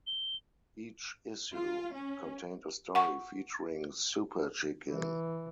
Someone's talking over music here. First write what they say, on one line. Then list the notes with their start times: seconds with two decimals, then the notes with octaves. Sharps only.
Each issue contained a story featuring Super Chicken.
0.07 G7
1.54 F4
1.95 C#4
2.95 F#5 C#6
4.90 E3